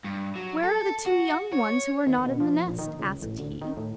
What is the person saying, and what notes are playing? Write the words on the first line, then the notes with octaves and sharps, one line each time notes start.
'Where are the two young ones who are not in the nest?' asked he.
G2
F#3
A4
F#4
C#5
D#2
B2
F3
A#1
D#3
C#2
A1
D2
D#3
A2